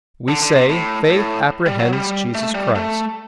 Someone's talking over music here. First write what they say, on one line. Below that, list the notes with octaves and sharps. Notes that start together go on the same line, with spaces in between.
We say, faith apprehends Jesus Christ.
D3
D3
C3
A2
A2
G3
F#3
G3
A3
G3
A3